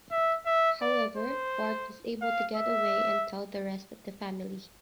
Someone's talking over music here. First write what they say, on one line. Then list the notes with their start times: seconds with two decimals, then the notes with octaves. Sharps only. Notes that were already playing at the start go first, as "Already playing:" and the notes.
However, Bart is able to get away and tell the rest of the family.
0.11 E5
0.46 E5
0.81 D5
1.17 C5
2.21 F5
2.56 E5